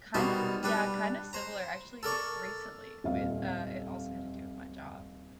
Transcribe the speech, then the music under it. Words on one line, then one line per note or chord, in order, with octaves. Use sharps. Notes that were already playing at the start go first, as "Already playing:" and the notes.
Kind of yeah, kind of similar, actually, recently, with, uh it also had to do with my job.
B2 G3 D#4 A#4 C5
G3 D4 B4
C5 A#5
A4 A#4 D5 C#6
D#1 F2 E5 F5